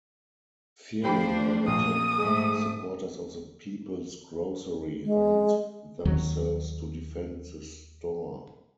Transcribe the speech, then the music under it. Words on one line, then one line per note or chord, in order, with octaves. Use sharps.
Fearing an attack, supporters of the People's Grocery armed themselves to defend the store.
F3 A3 D4 G4 C5 G5 B5
A#1 A#3 D#6
G#2 A3 G#4
G#3
D#2 D#3 F#3